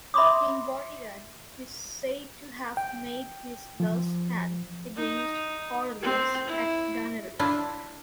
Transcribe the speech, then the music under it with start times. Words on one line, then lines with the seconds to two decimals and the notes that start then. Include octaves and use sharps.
King Vortigern is said to have made his last stand against Aurelius at Ganarew.
0.14 E5 B5 C6 D6 D#6
2.77 G5
3.80 F3
4.96 D#4
6.02 C4
6.46 E4
7.39 D4 E4 F4